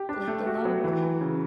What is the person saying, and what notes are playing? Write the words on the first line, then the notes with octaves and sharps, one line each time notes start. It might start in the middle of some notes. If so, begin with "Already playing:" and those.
like, the low-ri
Already playing: G4
D4
A3
F#4
F#3
E3
E3
C#3